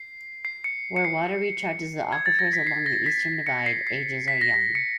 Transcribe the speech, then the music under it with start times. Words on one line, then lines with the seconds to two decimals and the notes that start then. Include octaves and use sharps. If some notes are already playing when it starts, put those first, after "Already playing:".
Where water recharges the aquifers along the Eastern Divide, ages are young.
Already playing: C7
0.45 C7
0.64 C#7
0.96 C#7
1.05 C7
2.12 G#6
2.26 A6
2.39 A#6
2.53 B6
2.67 C7
2.86 A#6
3.06 B6
3.47 C#7
3.66 C7
3.87 C7
4.28 B6
4.41 A#6
4.54 B6
4.75 C#7